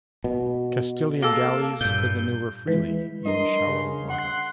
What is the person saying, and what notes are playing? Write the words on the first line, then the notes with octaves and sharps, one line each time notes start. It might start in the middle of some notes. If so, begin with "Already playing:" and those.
Castilian galleys could maneuver freely in shallow water.
B2
A#3 A4
G2 A#2 G6
E3 G#3 E4 B4
G3 D4 A#4 D#5 C6
C#3
F#5 C6